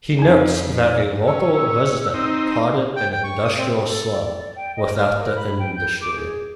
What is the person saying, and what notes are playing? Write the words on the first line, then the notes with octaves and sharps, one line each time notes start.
He notes that a local resident called it an industrial slum without the industry.
F2 D#4 A#5
C#4 E6
C4 D#4
G5
G5
C#6
D#6
C4
A4
D5
G5
D#5
F6
A#4
B5
G5
G6
D6
G#4